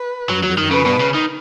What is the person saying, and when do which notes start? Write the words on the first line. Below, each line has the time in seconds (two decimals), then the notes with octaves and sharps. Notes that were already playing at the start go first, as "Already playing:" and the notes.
"Have you been here long?"
Already playing: B4
0.30 F#3
0.43 F#3
0.58 D#3
0.71 C#3 B4
0.86 B2
1.00 C#3
1.14 D#3